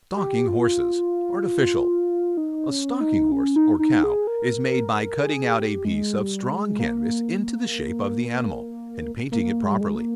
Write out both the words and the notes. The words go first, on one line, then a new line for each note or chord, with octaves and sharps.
Stalking-horses.--Artificial.--A stalking-horse, or cow, is made by cutting out a piece of strong canvas into the shape of the animal, and painting it properly.
G4
F4
D#4
C#4
D#4
C#4
D#4
D#4
G#4
A#4
G#4
G4
G#3
G3
G#3
A#3
A#3
G#3
G3
G#3
A#3